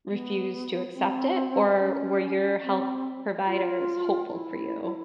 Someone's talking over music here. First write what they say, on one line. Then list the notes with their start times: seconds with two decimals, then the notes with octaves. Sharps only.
refused to accept it, or were your health providers hopeful for you?
0.10 B3
0.94 C4
1.79 C#4
2.63 C4
3.46 F4
4.30 E4